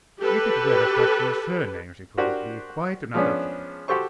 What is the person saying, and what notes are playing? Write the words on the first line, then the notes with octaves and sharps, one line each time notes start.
If it were a question of surnames, it would be quite another thing.
G4 A4 B4
D4 F#4 G4 A#4 C5
F3 G#3 B3 C#4 D4
F#4 G4 A4 C5 C#6